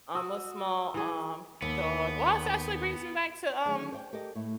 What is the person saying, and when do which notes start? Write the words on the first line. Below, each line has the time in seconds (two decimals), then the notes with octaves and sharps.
um, a small, um, dog Well, this actually brings me back to, um
0.15 F#4 D#6 E6
0.94 E3 G#4
1.62 D#2 B3
3.65 D3 D#3 F#3 A3 D#4 G#4
3.92 C5 D5 F5 G5
4.13 G4 A4 A#4 D5 D#5
4.35 A2 A3